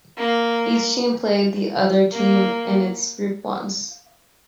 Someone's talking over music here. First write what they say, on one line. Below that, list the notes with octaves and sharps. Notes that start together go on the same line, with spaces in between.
Each team played the other teams in its group once.
A#3
A#3